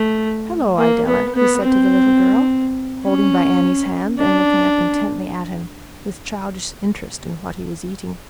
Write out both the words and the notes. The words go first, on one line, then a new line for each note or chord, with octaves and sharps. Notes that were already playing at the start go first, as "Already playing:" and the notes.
"Hello, Idella!" he said to the little girl, holding by Annie's hand and looking up intently at him, with childish interest in what he was eating.
Already playing: A3
A#3
B3
B3
C4
C#4
D4